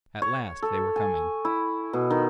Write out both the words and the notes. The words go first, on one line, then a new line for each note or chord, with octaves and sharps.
At last, they were coming.
C#5
A4
G#5
E4
B2
D#3